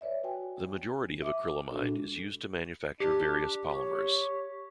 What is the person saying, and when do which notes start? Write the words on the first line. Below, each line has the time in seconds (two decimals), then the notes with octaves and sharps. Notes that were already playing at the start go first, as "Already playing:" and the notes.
The majority of acrylamide is used to manufacture various polymers.
0.01 B4 C#5 D5 E5
0.24 F#4 G5 G#5
1.21 E5 D6
1.71 A#2 G#3 D4 F#4 A4
3.00 D4 G4
3.71 C#5